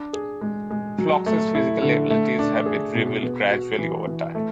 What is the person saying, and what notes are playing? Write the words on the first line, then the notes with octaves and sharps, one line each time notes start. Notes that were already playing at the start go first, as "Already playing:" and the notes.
Phlox's physical abilities have been revealed gradually over time.
Already playing: D4
G#4
G#3
G#3
F#3
A3
E4
D3
A3
D4
G#4
B2
B3
F#4
E3
E3
A3